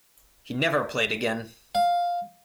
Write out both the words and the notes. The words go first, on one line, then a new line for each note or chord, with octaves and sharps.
He never played again.
F5